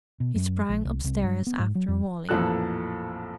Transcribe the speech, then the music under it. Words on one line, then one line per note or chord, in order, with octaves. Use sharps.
He sprang upstairs after Wally.
B2
F#2
A#1
C2
C2
G2
B3
G#2
F#3
F2
A1 F2 A#2 A4 F#6